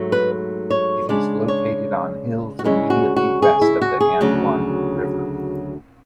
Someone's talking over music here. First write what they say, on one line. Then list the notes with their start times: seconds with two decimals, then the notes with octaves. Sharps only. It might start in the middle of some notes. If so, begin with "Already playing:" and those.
It is located on hills immediately west of the Antoine River.
Already playing: G#2 F#3 A3
0.12 B4
0.70 C#5
1.09 C#3 G#3 D4 D5
1.48 C#5
2.59 F#4
2.64 D2 C#3 G#3 C#4 E4
2.90 F#4
3.16 F#4
3.42 G#4
3.62 E4
3.82 F#4
4.00 G#4
4.21 D2 C#3 F#3